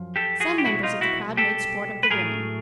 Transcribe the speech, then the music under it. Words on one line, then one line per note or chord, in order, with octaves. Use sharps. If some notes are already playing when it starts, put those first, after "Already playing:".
Some members of the crowd made sport of the women.
Already playing: F#2 F3
G4 A4
F#4 G#4
G4
C2 B2 F#3 E4 F#4
D#4 F4
E4 F#4
G4 A4
B4
A2 F#3 A3 G#4 A#4